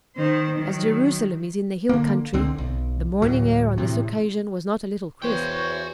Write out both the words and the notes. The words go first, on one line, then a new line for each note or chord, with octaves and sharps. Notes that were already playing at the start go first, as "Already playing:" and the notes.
As Jerusalem is in the hill country, the morning air on this occasion was not a little crisp.
D#3 C5
D#3 F#3
D3 A#3
C#2 D3 C4
B1
D2 A2 F#3
A2 C3 E3
E2 E3 F#4 C5 C#5 G5